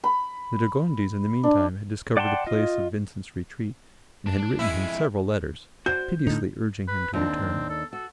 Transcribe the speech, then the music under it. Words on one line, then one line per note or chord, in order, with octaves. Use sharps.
The de Gondis, in the meantime, had discovered the place of Vincent's retreat and had written him several letters, piteously urging him to return.
B5
D4
D5 F#5 G5 A5 C6
F4 D#5
D4 A5
F2 G#3 E4
F#4 C5 D5 G6
A2 D3 D#4
B4
D#2 C4 D4
A4
F#4 A4